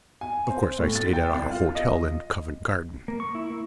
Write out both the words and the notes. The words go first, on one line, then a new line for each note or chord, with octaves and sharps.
Of course I stayed at Our Hotel in Covent Garden.
G#5
C4
A2
A6
G5
C2
F4
D#5
A#3
C#6
E4
A#3